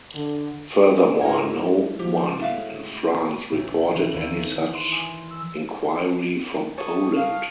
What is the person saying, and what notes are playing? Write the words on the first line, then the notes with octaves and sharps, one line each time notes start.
Furthermore, no one in France reported any such inquiry from Poland.
D3
G#2 A3 E4 A#4 C#5
F3 G#3 F#4 G4
A2 A3 B3 E5 F5
A1
E3
D#2
E3
E3
C6
G#5
E6
C#5 A5 D#6
F5